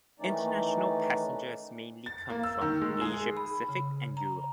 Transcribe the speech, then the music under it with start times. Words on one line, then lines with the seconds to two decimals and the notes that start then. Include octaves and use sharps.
International passengers mainly come from Asia Pacific and Europe.
0.20 D#3 E3 A3 C#4 D#4 D5
2.06 A6
2.30 A#3
2.44 E6
2.61 D#3
2.82 G#3
3.01 G#4
3.37 B5
3.69 C#3
4.17 A#5